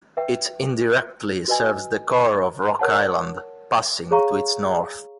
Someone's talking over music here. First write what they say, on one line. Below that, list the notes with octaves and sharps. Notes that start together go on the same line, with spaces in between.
It indirectly serves the core of Rock Island, passing to its north.
B4 E5 G5
F#4 B4 D#5 G#5
A#4 C#5 F#5 A5
G#4 C#5 F5 A#5 C#6